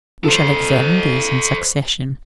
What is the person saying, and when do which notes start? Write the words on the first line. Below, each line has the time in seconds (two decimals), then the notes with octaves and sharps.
We shall examine these in succession.
0.24 A4 C5